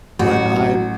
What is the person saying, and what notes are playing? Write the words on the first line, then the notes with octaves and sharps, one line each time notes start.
But I
A1 F#3 F#4